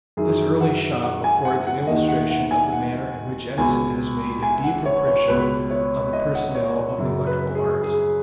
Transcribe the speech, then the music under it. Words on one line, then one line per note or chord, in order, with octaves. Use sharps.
This early shop affords an illustration of the manner in which Edison has made a deep impression on the personnel of the electrical arts.
F#2 D#3 G#4
F#5
F#5
G#5
F#5
F#5
D#2 D#3 D#5
F#5
F#5
G#5
F#5
C#2 B2 G#5
G#5
F#5
C#5
C#5
C#2 B2 B4
C#5
D#5
F#5
C#5
F#2 C#3
B4
G#4
G#4